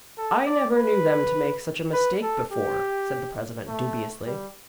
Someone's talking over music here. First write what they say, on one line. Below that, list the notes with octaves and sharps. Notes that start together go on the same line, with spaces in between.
"I never knew them to make such a mistake before," said the president, dubiously.
A4
D5
B4
B4
A4
G4
A3
G3